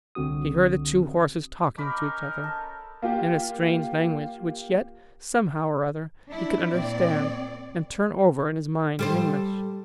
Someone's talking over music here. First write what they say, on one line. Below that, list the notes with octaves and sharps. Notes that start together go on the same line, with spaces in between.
He heard the two horses talking to each other--in a strange language, which yet, somehow or other, he could understand, and turn over in his mind in English.
C2 D3 C4 F#4 D#6
C#4 D#4 A#4 B5 D6
A4
A#3 F4 G4
D4 E4
A#2 C4 D5
G3 A4 C5